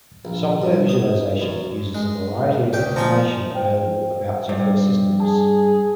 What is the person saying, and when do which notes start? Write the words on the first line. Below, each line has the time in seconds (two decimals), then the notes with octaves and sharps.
Software visualization uses a variety of information available about software systems.
0.25 A#1
0.62 G2
0.89 D#6
1.42 F#2
1.95 G#3
2.73 D2 G4 G5
2.96 F3 D#4 G#5 A#5
3.55 C5 G5
4.49 G2
5.20 G#4 A5